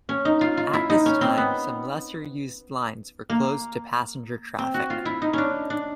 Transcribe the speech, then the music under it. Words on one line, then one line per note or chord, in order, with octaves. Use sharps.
At this time some lesser-used lines were closed to passenger traffic.
C#4
D#4
F4
F4
E4
D#4
C#4
C4
B3
A#3
C4
F#4
F4
E4
D#4
C#4 D4
D4